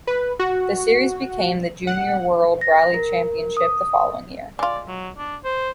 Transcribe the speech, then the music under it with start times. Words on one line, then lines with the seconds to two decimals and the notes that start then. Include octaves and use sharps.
The series became the Junior World Rally Championship the following year.
0.07 B4
0.39 F#4
1.87 F#5
2.61 A#6
2.94 A#4
3.57 D#6
4.59 G#3 F4 D5
4.88 F#3
5.18 D4
5.45 C5